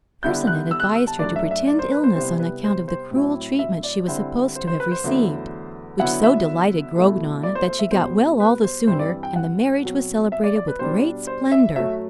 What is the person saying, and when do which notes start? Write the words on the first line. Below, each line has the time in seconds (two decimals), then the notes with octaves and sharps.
Percinet advised her to pretend illness on account of the cruel treatment she was supposed to have received; which so delighted Grognon, that she got well all the sooner, and the marriage was celebrated with great splendour.
0.23 D3 G3 B3 E4 G6
0.47 F#6
0.71 E6
0.80 F#6
0.84 E6
0.95 E6
1.07 A5
1.19 F#2 F#3 A3 D4 D5
1.36 E5
1.51 E5
1.67 D5
1.79 C5
1.91 B4
2.04 C5
2.15 C3 G3 B3 E4 C5
2.40 B4
2.64 C5
2.88 C5
3.11 A2 F#3 C4 E4
3.59 E5
3.83 D5
4.07 D3 G3 C4 E4 C5
4.56 C5
4.68 C5
4.80 B4
4.92 C5
5.04 E2 D3 F#3 A3 E4
5.99 D3 F#3 B3 E4 F#5
6.24 E5
6.95 B2 A3 E4
7.43 D5
7.55 C5
7.67 C5
7.79 E5
7.91 B2 G3 B3 C5
8.40 B4
8.64 C5
8.87 G2 E3 G3 C4 C5
8.99 D5
9.23 G5
9.36 F#5
9.83 B2 F#3 C4
10.32 E5
10.44 D5
10.56 D5
10.68 B4
10.79 B2 G3 D4 C5
11.27 C5
11.52 E5
11.76 F#2 F#3 A3 E5